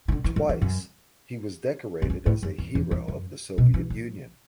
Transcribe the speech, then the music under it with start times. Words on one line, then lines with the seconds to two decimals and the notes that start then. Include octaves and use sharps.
Twice he was decorated as a Hero of the Soviet Union.
0.08 E3
0.12 D3
0.24 E3
0.36 F#3
0.49 E3
0.62 F#2
2.02 E2
2.10 F#2
2.26 A2
2.43 F#2
2.58 E2
2.75 E2
2.91 E2
3.08 F#2
3.58 B2
3.74 E3
3.90 F#3